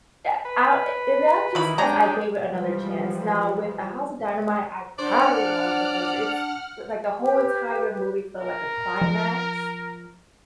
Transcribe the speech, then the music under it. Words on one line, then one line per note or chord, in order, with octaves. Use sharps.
yeah, I and that's just 'cause I gave it another chance. Now, with A House of Dynamite, I probably won't because it's l like the whole entire movie felt like a climax
B4
D#3 E3 B4 B5
F#3 G#3 D4 G4 A#5
E3 F3 G3 G#3
A#2 D4 C5 D5 F#5 F6
G4 B4
A#4
F3